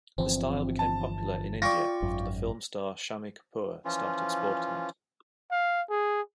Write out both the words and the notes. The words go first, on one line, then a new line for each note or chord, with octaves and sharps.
The style became popular in India after film star Shammi Kapoor started sporting it.
G1 E3 F3 C4
A5
F4 D5 G5 C#6 A#6
G#1 F#2
E3 F3 C#4 F4
F5
G#4